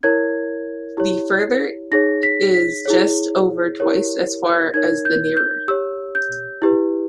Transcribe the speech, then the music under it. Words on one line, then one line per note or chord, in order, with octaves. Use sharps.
The further is just over twice as far as the nearer.
E4 A#4 C#5 G#6
E4 G4 C#5
D#4 G#4 C#5 A#6
B6
B6
E4 G#4 C#5
E4 G4 A#4 C#5
D#4 A#4 C#5 G#6
G6
G6
G4 C#5 E6
G6
E4 G4 B4